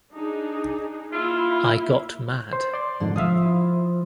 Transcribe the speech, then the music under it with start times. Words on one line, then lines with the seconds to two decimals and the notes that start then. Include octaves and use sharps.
I got mad.
0.14 D4 D#4 G#4
1.13 A#3 E4 F4
2.53 C5
2.74 D5 C6
3.00 F2 G#2 B2 D3
3.16 F3 E5 F5 D#6
3.46 E4